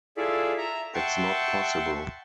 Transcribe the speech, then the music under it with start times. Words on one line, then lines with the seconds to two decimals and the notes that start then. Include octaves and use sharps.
It's not possible.
0.17 E4 F4 G#4 A4 D5 E5
0.58 E5 A#5
0.94 E5 F#5 G5 A5 C6 C#6